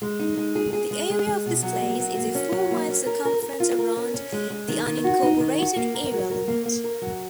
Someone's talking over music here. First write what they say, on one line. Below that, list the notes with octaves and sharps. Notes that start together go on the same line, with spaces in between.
The area of this place is a four-mile circumference around the unincorporated area limit.
G#3
D#4
G#3
G#4
G#4
G#3
G#3
G#4
B2
F#3
A#3
F#3
A#3
C#4
F#3
A#3
C#4
A#4
A#4
A#4
F4
A#4
C#4
C#4
G#3
G#3
D#3
D#3
F#4
D#4
D#3
F#4
A#3
A#4
F#3
A#4
A#3
A#3
A#4
F#3